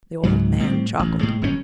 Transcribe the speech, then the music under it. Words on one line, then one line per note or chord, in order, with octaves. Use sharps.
The old man chuckled.
C#2 G#2 F#3
A2 G3 G#3 C4
A1
A2 G#3
G1 F#2 C3 C#4